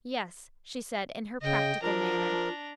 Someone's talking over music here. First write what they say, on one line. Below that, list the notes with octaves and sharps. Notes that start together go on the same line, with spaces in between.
"Yes," she said, in her practical manner.
C#3 D#5 G5
F3 D4 F4 A#4 A#5